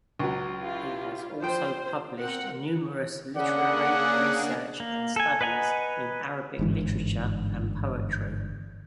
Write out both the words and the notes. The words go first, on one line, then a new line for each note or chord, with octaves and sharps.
He has also published numerous literary research and studies in Arabic literature and poetry.
C#2 F#3
E4 F4 G4
F3 C5 G5
C4 A#4 F#5
C#3 A#3 D4 G#4 D5 F#5
A#3
A4 G#5
B4 D#5 F#5 G#5 A#5
G1 G#2 E3